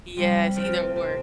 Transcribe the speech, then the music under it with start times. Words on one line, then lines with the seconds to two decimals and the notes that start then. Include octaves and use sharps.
yes, either, or.
0.17 C3 G3
0.56 F3 A3 C4 F4
0.96 C3